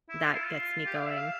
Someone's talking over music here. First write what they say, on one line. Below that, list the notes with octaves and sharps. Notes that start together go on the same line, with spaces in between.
that gets me going.
E4
F4
E4
F4
G4
F5
E5
F5